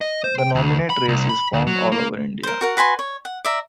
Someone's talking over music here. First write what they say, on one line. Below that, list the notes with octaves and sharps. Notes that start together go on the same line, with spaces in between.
The nominate race is found all over India.
D#5
C5
G5
D2
B5
C2
B5
D2
F#3
A#3
A#4 C5
F#4 A#4 F#5
F#4 B4 G#5 C6
C#5
F#5
D5 E5 A#5